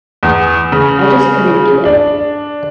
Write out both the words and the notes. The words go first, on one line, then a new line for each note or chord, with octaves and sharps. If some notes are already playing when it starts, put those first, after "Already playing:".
I just couldn't do it.
E2
C#3
D4